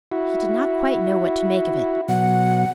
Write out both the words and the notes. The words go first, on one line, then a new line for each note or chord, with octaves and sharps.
He did not quite know what to make of it.
E4 F#4
B2 F#3 F#5